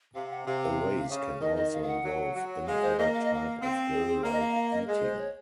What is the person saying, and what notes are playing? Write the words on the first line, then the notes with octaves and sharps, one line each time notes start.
A race can also involve any other type of goal like eating.
C3 F5
F#5
C3 F5
F5
C#3
D#3 D#5
D#5
F5
F5
F#5
F#3
F#3
G#3 F5
C5
A#3 D#5
F5
D#5
F5
C4
G#4
G#4
A#3 A#4
D#5
F5
F5
D#5
A#4
G#3 G#4
C5
C#5